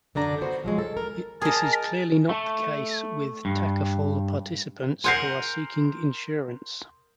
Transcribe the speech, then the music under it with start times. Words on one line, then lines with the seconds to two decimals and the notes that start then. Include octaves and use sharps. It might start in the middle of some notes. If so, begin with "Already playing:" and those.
This is clearly not the case with Takaful participants who are seeking insurance.
0.15 F#2 D3 D4 A#5
0.41 B3 F#4 C5
0.64 F3 F#3 G#3
0.78 A4
0.97 A#4
1.42 G#4 A#4 D#5 A5
2.29 A3
3.45 G2
5.04 A#4 F#5 G#5 C6 G6 C7